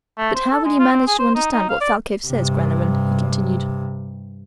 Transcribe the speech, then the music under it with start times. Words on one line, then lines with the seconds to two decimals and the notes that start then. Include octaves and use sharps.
"But how will you manage to understand what Thalcave says, Glenarvan?" he continued.
0.18 A3
0.35 C5
0.52 A4
0.65 G#3
0.79 F4
0.92 C4
1.07 G#4
1.19 C5
1.35 D#4
1.52 D#4
1.69 F5
1.81 D5
2.27 G2 C3